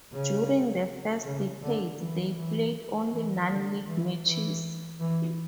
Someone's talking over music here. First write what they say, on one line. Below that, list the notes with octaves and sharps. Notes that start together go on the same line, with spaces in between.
During the first decades, they played only non-league matches.
C#3
C#3
D3
E3
E3
E3
E3
D3
E3
E3
E3